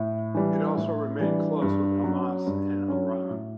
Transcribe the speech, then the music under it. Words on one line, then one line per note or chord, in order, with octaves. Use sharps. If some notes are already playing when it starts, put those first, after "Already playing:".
It also remained close with Hamas and Iran.
Already playing: A2
E3 G3 D4
A2
E3 G3 D4
G2
F#3 C#4
G2
F#3 C#4
A2